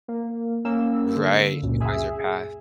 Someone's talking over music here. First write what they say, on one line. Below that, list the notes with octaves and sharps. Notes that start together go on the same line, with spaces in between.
Right. She finds her path.
A#3
A#3 C#4 E6
D3
C#2 F#2 A#2
G#4 E5